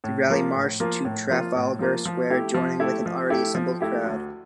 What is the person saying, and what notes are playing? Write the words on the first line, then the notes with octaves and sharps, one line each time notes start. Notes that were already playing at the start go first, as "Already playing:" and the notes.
The rally marched to Trafalgar Square, joining with an already assembled crowd.
A2
F3 A#3 F4
A2
F3 A#3 F4
A2
F3 A#3 F4
A2
F3 A#3 F4
F3
A3 E4 G4
F3
A3 E4 G4
F3
A3 E4 G4
F3
A3 E4 G4
D2